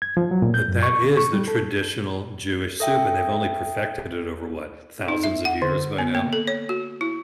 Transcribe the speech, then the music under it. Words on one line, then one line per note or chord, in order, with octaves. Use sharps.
tha that is the traditional Jewish soup, and they've only perfected it over, what, thousands of years by now?
G#6
F3
F#3
A#2
G6
F#2
C#6
D3
C#6
G3
A4
A4 E5 G5
D#4
E5
F#5
D3
B3
A#3
A4
C#5
F#4
E4